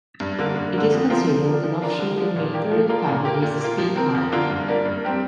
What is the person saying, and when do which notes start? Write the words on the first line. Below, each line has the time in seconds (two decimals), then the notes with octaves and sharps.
It is considered an offshoot of Military Families Speak Out.
0.20 G2
0.39 D3 A#3
0.56 G2
0.74 D3 A#3
0.92 F2
1.10 F3 C4 F4 A#4
1.27 F3
1.46 D4 A#4
1.63 F3
1.81 D4 F4 A#4
1.99 D3
2.17 F3 D4
2.36 A#2
2.54 A#3 D4 G4
2.71 F3
2.89 A#3 F4 A#4
3.07 A#2
3.25 A#3 G4
3.42 A#2
3.61 A#3 F4
3.78 F3
3.96 C4 A#4
4.15 F2
4.32 D3 A#3 F4 A#4
4.50 G2
4.68 G3 A#3 D4 A#4
4.85 G2
5.04 G3 C4 G4 A#4